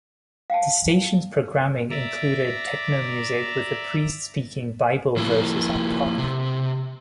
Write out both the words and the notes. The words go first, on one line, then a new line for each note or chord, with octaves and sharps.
The station's programming included techno music with a priest speaking Bible verses on top.
F5 G5 A5
D5 E5 A#5
F3 A#3 E4
C3